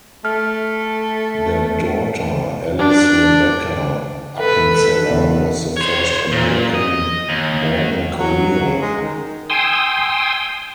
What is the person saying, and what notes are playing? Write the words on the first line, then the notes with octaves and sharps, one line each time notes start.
Their daughter Alice Rebecca Appenzeller was the first American born in Korea.
A3 F6
D4
A4 B4
E2
C5 C#5
A#2
D#5
D#2
F#3
C#3
G#3
D#3
G5 G#5 C6 D#6 E6